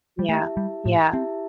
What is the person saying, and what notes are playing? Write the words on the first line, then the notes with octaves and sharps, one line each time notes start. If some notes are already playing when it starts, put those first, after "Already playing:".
Yeah, yeah,
G3
A3 E4 G4 E5 A5
G3
A2
C4 E4 G4 E5 A5